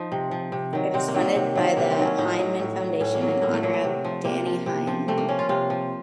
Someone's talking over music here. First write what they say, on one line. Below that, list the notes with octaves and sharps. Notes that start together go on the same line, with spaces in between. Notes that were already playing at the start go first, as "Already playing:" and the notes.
It is funded by the Heineman Foundation in honour of Dannie Heineman.
Already playing: F3 D#4
C3
F3
C3
D#3 F#3
C3 C4
A#3
D#3 F#3
A#3
C3
D#3 F#3
C3 A#3
C4
D#3 F#3
C#4
A2 D#4
F#3
A2
F#3
A2 C#4
A#3
F#3
A#3
A2 A#3
A3
F#3 A#3
A3
C3
F3
C3 A#3
F3
C3
F3
C3 A3
A#3
F3 C#4
F4
C3 F4
F3